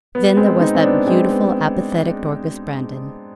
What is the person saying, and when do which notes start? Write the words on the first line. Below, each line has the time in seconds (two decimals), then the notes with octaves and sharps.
Then there was that beautiful apathetic Dorcas Brandon.
0.15 B3
0.37 G#3 C4
0.60 C4 D#4
0.75 C4
0.84 B3 D4
1.07 G#3 C4
1.31 B3